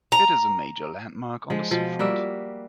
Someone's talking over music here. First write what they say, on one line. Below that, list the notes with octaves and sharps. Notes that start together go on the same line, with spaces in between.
It is a major landmark on the seafront.
A#5
F3 G#3
B2 F3
G3 A#3 F#4 E5